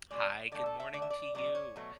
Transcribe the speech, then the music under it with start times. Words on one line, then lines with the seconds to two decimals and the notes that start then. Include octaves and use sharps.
Hi, good morning to you.
0.11 B2 G#3 D5
0.52 D3 A3 D5
0.66 A4
0.80 E5
0.93 D3 A3 D5
1.02 E5
1.10 D5
1.35 B2 F#3 A3 D5
1.55 C#5
1.76 B2 F#3 A3